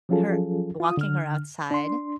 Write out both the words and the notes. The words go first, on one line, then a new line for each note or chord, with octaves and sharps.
her walking her outside,
F3 F#3 C#4 F4 G#4 A4
F4 D#6
D3 F6
D4 C6